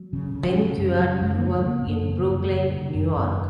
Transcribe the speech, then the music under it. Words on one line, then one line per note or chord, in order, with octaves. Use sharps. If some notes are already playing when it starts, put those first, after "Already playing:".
Benguiat grew up in Brooklyn, New York.
Already playing: F#3
C#3
C#3
C#3
F#2
C#3 G3
F#2 G#3
A#3
C#3 A3
C#3 A#3
B3
F#2 A#3
C#3
F#2
C#3
C#3
F#2
F#2